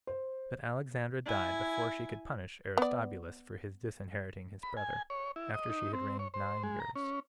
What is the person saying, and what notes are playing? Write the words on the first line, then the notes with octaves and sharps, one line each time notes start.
But Alexandra died before she could punish Aristobulus for his disinheriting his brother, after she had reigned nine years.
C5
E4 G#5
B3 D5
B5
G#5
C#5
E4
D#5
D#4
C4
C#5
C5
G#3
A#5
C#4